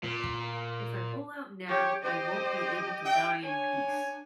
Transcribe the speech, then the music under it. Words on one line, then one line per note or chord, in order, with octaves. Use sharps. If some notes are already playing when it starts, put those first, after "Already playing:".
If I pull out now, I won't be able to die in peace.
A#2
G4 C#5
G4 C5 D#5
D#4 E5 G5
D4 C#5 G#5